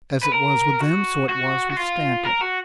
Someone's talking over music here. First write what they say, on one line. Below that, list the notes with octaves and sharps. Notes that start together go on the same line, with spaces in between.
As it was with them, so it was with Stanton.
B4
A#4
F#4
F#4
F#4
F4
A#4
F#4